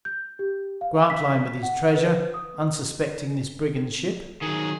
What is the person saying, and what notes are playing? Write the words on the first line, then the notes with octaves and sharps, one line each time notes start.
Grantline with his treasure, unsuspecting this brigand ship.
G6
G4
F5
B6
F#5
B4
D#6
D#3 F#3 G#4